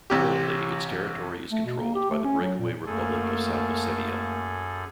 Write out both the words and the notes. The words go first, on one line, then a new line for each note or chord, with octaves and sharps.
Currently, its territory is controlled by the breakaway Republic of South Ossetia.
A1 C3 G4
A3
B2
A#3
G4
A3
C#4
F#3
A#2
F#2 A3 A#3 G#4 A4